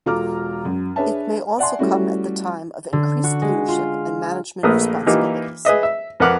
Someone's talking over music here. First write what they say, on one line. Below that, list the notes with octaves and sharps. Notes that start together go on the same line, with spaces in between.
It may also come at the time of increased leadership and management responsibilities.
E1 F4 A4 A#5 D6 F6
F#2
D4 G#4 B4 C#5 E5 A5
D5 E5 F#5 G#5 A5 C6
G3 A3 C#4 E4 F#4
D3
F#4
G#3
F4
A#1 A3 A#3 B4 D#6
E3 A#3 D#4 F4 G4
G#4 B4 D#5 E5
E5
F2 A#4 B4 F#5 D6 F6